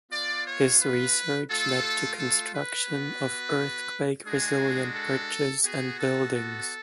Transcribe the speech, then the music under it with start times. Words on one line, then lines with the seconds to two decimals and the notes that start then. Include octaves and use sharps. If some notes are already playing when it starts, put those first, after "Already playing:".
His research led to construction of earthquake resilient bridges and buildings.
0.11 B3 F4 D5
0.46 C#5
0.81 B4
1.50 A3 F4 A4
2.19 A4
2.53 B4
2.88 B3 F#4
4.26 G#3 D4 F#4 G#4
4.95 A4
5.64 B3 F#4 G#4
6.00 A4
6.33 A4